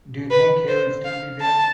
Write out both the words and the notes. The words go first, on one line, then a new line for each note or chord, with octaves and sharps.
Do you think he will still be there?
B4
C5
F5
A5